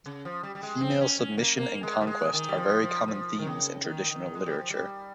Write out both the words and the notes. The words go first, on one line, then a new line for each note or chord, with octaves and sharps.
Female submission and conquest are very common themes in traditional literature.
C#3
F3
G3
G3
G#3
C4
C#4
C#4
A#3
A#3
G#3
G3
G#3
D#3
G3
F3
F3
F3
D#3
C#3
D#3
D#3
G#3
G3
F3
G3